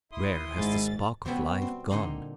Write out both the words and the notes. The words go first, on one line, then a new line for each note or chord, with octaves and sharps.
Where has the spark of life gone?
E4 C6 D#6
G#1 G#2 A6
B2 F#3 G3 B3 C4 G4
C4
A#2 D3 D#4 C6